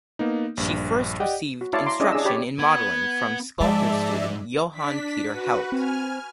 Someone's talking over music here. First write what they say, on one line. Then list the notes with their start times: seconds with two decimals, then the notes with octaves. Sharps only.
She first received instruction in modeling from sculptor student Johan Peter Heldt.
0.19 A#3 B3 D#4
0.57 A#1 G2
1.20 G4 D5 D#5 F#5 G5
1.61 F#4
1.73 E4 C#5 D5 F5 A5
1.86 A#5 C6 D6
2.00 C#4 D4 E4 G#4 D5 D#5
2.12 D4 G#4 D5 E6
2.25 G4 C#5 D5 B5
2.59 B3 G#6
3.60 G#2 F3 G#3 D5 E5 A5
4.71 D4 B6
5.26 F#4 B4
5.72 C4 G#5 F6